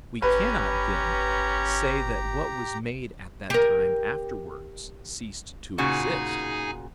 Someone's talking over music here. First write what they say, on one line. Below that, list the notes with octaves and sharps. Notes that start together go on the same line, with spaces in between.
We cannot, then, say that what was made at that time afterwards ceased to exist.
G1 C#4 G4 B4 A#5
G4 A#4
A#2 C#3 D#4 F#4 G#4 G#5